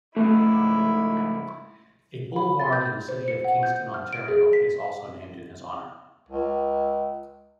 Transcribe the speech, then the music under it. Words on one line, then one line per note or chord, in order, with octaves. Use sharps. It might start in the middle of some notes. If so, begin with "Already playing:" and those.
A boulevard in the city of Kingston, Ontario, is also named in his honour.
C#2 G#2 A3 E4
B5
A6
G6
C5
C#7
F#5
G6
F6
D7
G#4
B6
C#2